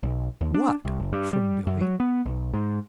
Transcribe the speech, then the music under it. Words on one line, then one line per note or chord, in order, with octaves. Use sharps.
"What?" from Billie.
B1
D#2
D4
C2
F#1
G2
G3
F#2
F#3
B3
B1
G#2